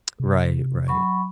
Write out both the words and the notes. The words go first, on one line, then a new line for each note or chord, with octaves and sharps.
Right, right
C3
F#3 B5 C#6